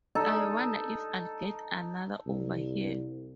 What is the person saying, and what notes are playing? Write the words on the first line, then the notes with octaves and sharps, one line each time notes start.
I wonder if I'll get another over here.
D#4 A4
C2